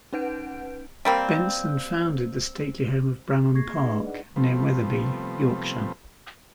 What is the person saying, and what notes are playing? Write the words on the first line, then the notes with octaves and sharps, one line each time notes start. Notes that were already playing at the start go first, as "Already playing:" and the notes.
Benson founded the stately home of Bramham Park, near Wetherby, Yorkshire.
C#4 D#4 B4 F#5 G6 D7
G3 A#3 C4
A#3 G#4 C#6 G#6 A#6 C7
D4 D#4 G#4 B4 D#5
D5 F#5
C3 F3 G3 A3 B3 C4